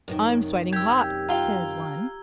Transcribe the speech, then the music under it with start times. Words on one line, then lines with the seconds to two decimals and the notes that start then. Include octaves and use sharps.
"I'm sweating hot," says one.
0.08 F#2 C3 D#3
0.73 G4 E6 G#6
1.29 F4 F5 G5 A#5 G7